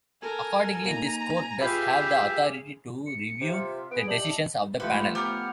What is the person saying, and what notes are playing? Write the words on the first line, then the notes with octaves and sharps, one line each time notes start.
Accordingly, this Court does have the authority to review the decisions of the panel.
A4 A#4 G#5
A#3 D#4 A#5
F4 G4 G#4 B4 E5 F5
C#7
C3 F4 E5
B3 G#4 D7
G3 D#5 E5 A5 F#7
F3 A3 G4 B4 C5 F#5
B3 G4 F#5 A#5 F6 G6